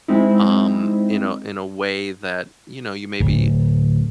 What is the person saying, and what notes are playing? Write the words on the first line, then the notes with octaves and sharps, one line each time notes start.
um, in a in a way that, you know, you maybe
G#3 C4 D#4 E4
D1